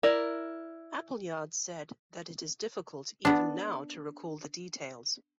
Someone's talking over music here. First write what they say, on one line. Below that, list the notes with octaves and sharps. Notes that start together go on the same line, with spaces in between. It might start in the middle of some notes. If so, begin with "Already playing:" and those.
Appleyard said that It is difficult even now to recall the details.
E4 A#4 D5
B3 D4